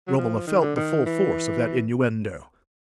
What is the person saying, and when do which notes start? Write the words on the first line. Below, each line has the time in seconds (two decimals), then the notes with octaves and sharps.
Romola felt the full force of that innuendo.
0.08 F#3
0.18 F3
0.47 D#3
0.62 D3
0.76 D#3
1.06 E3